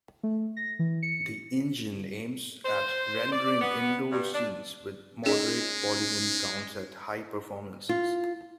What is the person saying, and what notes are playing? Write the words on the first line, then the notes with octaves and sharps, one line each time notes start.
The engine aims at rendering indoor scenes with moderate polygon counts at high performances.
A3
A#6
E3
C#7
C5
D5
B3
G2
D4
G#3 C#4 D#4 G#4 D#5
F4